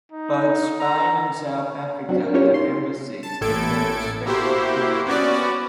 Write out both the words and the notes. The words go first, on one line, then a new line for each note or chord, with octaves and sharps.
Both Spain and South Africa have embassies in their respective capitals.
D#4
A#5
F#3 C4 D4 F#4
A#4
C#4 F4 G4 A#4 C#5
D#4 C6
A5
A1 A2 A4 G#6 D7
A#3 E4 F#4 G4 C5
B3 C#4 F#4 D5